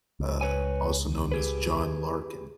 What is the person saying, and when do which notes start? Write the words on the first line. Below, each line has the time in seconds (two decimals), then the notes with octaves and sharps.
uh, also known as John Larkin.
0.20 C#2
0.41 B4 C#5 G#5
1.32 G4 G#4 B4